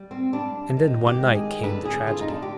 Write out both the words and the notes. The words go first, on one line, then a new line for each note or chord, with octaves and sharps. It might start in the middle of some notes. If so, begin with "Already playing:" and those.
And then one night came the tragedy.
Already playing: G3
C4
G3 D4
D#3
G4
G#3
G#4
D3 B4
G#4
D3 F4
D#4
D4
G4